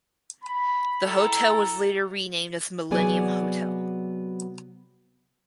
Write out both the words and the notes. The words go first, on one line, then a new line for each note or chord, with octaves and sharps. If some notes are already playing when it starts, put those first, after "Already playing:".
The hotel was later renamed as Millenium Hotel.
B5
E4 A4 G5 A#5
C3 F#3 B3 G#4 D5 G#5